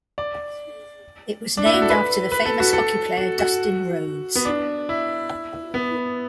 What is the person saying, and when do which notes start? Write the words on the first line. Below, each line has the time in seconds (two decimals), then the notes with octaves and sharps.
It was named after the famous hockey player Dustin Rhodes.
0.18 D5
1.57 D4
1.66 E4
1.74 F#4
1.82 A4
1.90 B4
2.32 B4
2.46 A4
2.60 F#4
2.73 A4
3.17 F#4
3.39 F#4
4.35 B3
4.45 D4
4.89 E4
5.74 B3